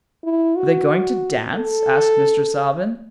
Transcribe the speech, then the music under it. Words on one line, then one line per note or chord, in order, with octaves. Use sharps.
"Are they going to dance?" asked Mr. Salvin.
E4
F#4
A4